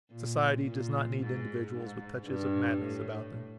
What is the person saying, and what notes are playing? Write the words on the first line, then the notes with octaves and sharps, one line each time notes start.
Society does not need individuals with touches of madness about them.
A#2
A#2
G#2
G#2
G2
A2